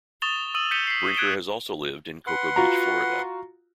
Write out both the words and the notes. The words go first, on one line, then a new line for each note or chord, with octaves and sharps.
Brinker has also lived in Cocoa Beach, Florida.
C#6 D#6 A6 E7 F7 G7
D#6 E6 D#7 F#7
G6 B6 C#7 D#7 E7 G7
B6 C7
F#6 G#6 D7 E7 F#7 G7
B4 F#5 C6
F4 F#4 A#5